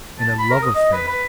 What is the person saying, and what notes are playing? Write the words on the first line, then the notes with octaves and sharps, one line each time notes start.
In a love-affair.
A5
B5
A#4
D#6
D#5
B4
B4